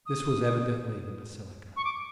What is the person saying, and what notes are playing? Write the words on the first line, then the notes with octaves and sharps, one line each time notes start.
This was evidently the basilica.
D#6
C#6
D6